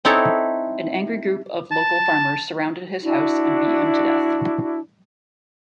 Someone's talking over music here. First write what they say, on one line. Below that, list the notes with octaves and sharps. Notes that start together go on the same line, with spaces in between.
An angry group of local farmers surrounded his house and beat him to death.
C4 D#4 E4 A4 C#5
A5
D4 E4 F#4